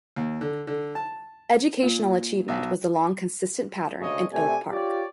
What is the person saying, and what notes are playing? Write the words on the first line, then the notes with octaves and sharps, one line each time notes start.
Educational achievement was the long consistent pattern in Oak Park.
D#2
D3
D3
A5
A#2
B1
D2 C#3 G#3 C#5 D#5
C3 A3 D5 G#5
F4 G4 C#5 D5